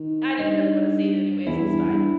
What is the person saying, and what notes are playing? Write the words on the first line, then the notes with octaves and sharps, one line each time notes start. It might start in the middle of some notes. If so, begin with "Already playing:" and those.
I didn't really wanna see it anyways, it's fine."
Already playing: D#3
G2 D#4
E2 E4
G2
E2
G2